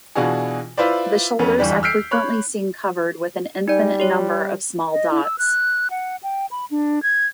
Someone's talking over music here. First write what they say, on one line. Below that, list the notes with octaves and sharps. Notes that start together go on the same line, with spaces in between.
The shoulders are frequently seen covered with an infinite number of small dots.
B2 E3 D4 F4 F#4 G#4
E4 F4 B4 C5 D5
F2 B3 C#4
G1 E2 G3 D4 G4
E6 F6 G6 B6 C7 D7
C#5 B5 F#6
G3 D#4 D5
G4 C#5
D#5
E4
E6
F#6
F#5
G5
B5
D4
G#6